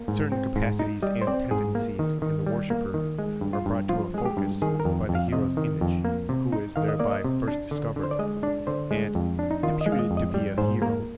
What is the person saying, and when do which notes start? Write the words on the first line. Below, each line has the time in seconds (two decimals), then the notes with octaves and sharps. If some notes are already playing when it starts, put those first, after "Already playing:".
Certain capacities and tendencies in the worshipper are brought to a focus by the hero's image, who is thereby first discovered and deputed to be a hero.
Already playing: A#3
0.08 G#2
0.32 C4
0.56 G#2
0.79 D#4
1.02 G3 D#5
1.22 C5
1.27 C4 D5
1.51 G#2 G#4
1.75 A#3
1.99 D#3
2.22 D#3
2.46 G3
2.70 A#3
2.94 D#3
3.19 G#3
3.41 G2
3.53 F4
3.66 G2
3.89 F3 F4
4.14 G#3 G#4
4.25 G4
4.37 G2
4.62 D#3 G#4
4.80 A#4
4.85 F2
5.09 F2
5.15 F5
5.32 C3 D#5
5.57 D#3
5.81 F2
6.05 A#3
6.29 C3
6.52 D#4
6.76 D#3 F5
6.88 D#5
7.00 A#3 D5
7.11 D#5
7.24 C3
7.48 D4
7.71 D3
7.96 D3
8.03 C5
8.11 D5
8.19 G#3 D#5
8.43 D4 D5
8.67 D3 C5
8.91 G#3
9.15 F2
9.39 D4
9.51 D#4
9.63 D#3 F4
9.81 D#5
9.86 G#3
9.92 F5
9.99 D#5
10.11 F2
10.17 D#5
10.34 G3
10.58 G#2 C5
10.82 A#3 A#4